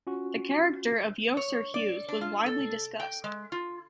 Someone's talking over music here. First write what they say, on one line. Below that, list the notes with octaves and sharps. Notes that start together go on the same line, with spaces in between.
The character of Yosser Hughes was widely discussed.
C#4 F4 F#4
C#5
D5
D4
F4
A4
G5
G#3
F4